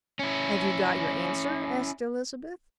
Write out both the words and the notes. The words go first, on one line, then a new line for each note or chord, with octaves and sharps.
"Have you got your answer?" asked Elizabeth.
C#4 E4